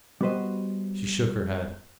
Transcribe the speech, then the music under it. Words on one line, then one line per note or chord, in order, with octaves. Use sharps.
She shook her head.
G3 B3 F#4 B4 C5 D#5